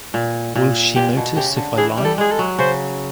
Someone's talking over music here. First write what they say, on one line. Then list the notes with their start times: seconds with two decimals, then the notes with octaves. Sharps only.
Will she notice if I lie?
0.14 A#2
0.56 A#2
0.96 A#2 G4
1.17 B2
1.36 C#3 G4
1.56 D3
1.78 E3 G#4
1.98 G3
2.05 A4
2.18 G#3 G#4
2.32 A4
2.39 F#3
2.59 C#3 C5